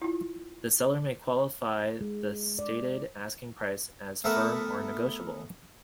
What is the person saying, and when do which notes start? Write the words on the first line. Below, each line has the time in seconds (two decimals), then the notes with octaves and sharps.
The seller may qualify the stated asking price as firm or negotiable.
0.02 E4 F4
2.01 G#3
2.59 D5
4.24 A3 B3 A#4 B4 E5 F#5